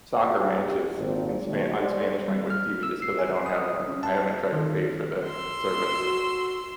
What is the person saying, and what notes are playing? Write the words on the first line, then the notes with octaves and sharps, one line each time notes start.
soccer matches in Spa on Spanish language TV just 'cause I don't have I've I haven't tried to pay for the service,
F#1 B3 F#4 G#4
B1 E2 B2 E3 G3 G4
G#1 A#2 C4
D#2 B2 F3 G#3 A3
G4 A4 C5 D5
G3
F6
E6
C7
G#5
D#6
C#4
A5
D#3
C6 E6
F#4